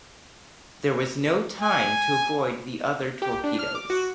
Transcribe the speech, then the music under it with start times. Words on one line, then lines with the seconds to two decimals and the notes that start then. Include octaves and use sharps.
There was no time to avoid the other torpedoes.
1.60 G#5
3.22 G4
3.44 D4
3.59 F6
3.75 D6
3.90 F#4